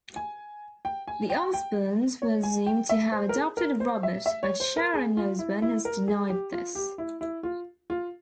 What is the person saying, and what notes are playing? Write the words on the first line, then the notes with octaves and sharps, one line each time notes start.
The Osbournes were assumed to have adopted Robert, but Sharon Osbourne has denied this.
G#5
G5
G#5
G5
G5
C#5
G#5
G5
E5
C5
A#4
G#4
A#4
C5
E5
E5
C#5
C5
A#4
G#4
F4
E4
E4
A#4
G#4
G4
F4
G4
E4
E4
F4
F4